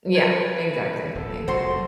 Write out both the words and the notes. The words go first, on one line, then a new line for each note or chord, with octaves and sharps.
Yeah. Exactly, exactly.
B4 G#6 A6 C#7
D#1 A4
F1 F2 A2 F#4 C5 C6